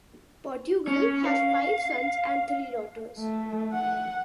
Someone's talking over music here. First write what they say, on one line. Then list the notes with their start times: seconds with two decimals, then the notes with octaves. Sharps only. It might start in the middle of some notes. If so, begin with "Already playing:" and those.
Portugal has five sons and three daughters.
0.88 C#4
1.26 F5
3.18 A3
3.73 F#5